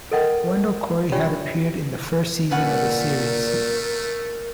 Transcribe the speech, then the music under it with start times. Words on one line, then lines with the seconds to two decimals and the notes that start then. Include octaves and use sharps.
Wendell Corey had appeared in the first season of the series.
0.11 A4 A#4 D#5 F#5 G5
1.12 D4 F4 G4 C#5 D5 G5
2.51 A#2 A3 C#4 A#4 B4 F#5